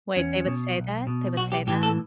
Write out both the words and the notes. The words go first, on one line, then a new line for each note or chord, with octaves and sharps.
Wait, they would say that? They would say that?
E2 C#4
B2
B1
B2
B1 F#4
G4
A2 E3 G4
A4